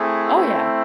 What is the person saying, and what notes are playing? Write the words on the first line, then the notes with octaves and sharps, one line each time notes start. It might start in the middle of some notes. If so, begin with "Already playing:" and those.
Oh yeah,
Already playing: A3 C4 E4 G#4
A3 C4 E4